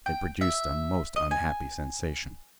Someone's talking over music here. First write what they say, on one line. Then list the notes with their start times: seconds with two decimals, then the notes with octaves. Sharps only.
They produced a most unhappy sensation.
0.06 G5
0.41 E5
1.16 D#5
1.31 G#5